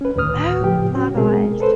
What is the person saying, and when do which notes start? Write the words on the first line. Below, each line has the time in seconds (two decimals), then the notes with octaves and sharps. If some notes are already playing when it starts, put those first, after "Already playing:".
Oh my gosh.
0.01 C#4 B4
0.16 D2 A2 D#3 B4 D#6 F6
0.61 A2 C#3 F3 G4 G5
0.95 C#4 F#4
1.15 B2 G#3 C4 G#4 A#4
1.60 A4 B4 C5